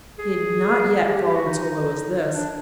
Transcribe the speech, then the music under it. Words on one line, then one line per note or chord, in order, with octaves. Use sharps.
He had not yet fallen so low as this.
G#4
G4
G4
G4
F#4
D#4
D4